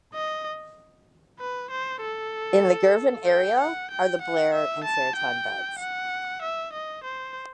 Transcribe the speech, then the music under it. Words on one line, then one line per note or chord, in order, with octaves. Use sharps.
In the Girvan area are the Blair and Straiton Beds.
D#5
B4
C5
A4
G5
F#5
G5
F#5
E5
A5
G5
F#5
E5
D#5
C5